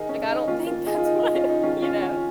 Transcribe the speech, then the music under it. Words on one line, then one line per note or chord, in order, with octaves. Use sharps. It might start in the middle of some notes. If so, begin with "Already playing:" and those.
Like, I don't think that's what you know?
Already playing: D#3 G#3 D#4 G#4 A#4
C#4
C#4
D#4
D#3 A#3 C#4 F4
F4 A#4
D#4 G#4
F4
D#4
D#4
C#4 F4
D#4
D#3 G#3 C#4 F4
C#4 F4
C#4 F4